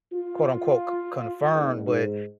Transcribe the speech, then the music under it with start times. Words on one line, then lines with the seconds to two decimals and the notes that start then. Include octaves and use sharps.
quote, unquote, "c confirmed," but
0.12 F4
1.50 F#1
1.85 G#2